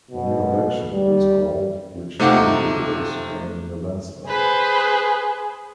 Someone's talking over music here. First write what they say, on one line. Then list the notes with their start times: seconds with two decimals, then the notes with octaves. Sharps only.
A new election was called, which the Liberals won in a landslide.
0.11 B2
0.92 G3
2.20 C3 A3 D#4 F4 F#5 D6
4.28 G#4 B4 C5